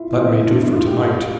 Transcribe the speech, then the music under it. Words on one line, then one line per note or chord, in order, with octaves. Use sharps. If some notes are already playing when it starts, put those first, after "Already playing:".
That may do for to-night.
Already playing: E4 F4
F4
E4
D4
E4
F4
G4
F4